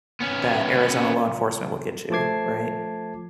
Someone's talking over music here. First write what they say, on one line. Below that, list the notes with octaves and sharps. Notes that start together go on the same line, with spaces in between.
that Arizona law enforcement will get you, right?
B3 C#4
F3 A3 A5 D6 G#6 C7